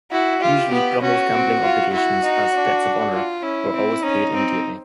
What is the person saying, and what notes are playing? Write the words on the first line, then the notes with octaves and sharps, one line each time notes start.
Usually Brummell's gambling obligations, as "debts of honour", were always paid immediately.
E4 F#4
F4 G4
B3
C#4 F#4
C4
F4
E4 F#4
D#4
D4
F4
C#4 E4
C4
C#4 D#4
C4